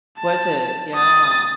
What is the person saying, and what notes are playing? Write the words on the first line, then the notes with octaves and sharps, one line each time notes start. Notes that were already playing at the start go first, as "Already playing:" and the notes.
Was it, yeah,
A5
D#6 A6